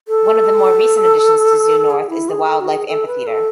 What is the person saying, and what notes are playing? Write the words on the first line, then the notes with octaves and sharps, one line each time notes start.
One of the more recent additions to ZooNorth is the Wildlife Amphitheater.
A4
G#4
E4
G#4
A4
F#4
G#4
A4
B4
A4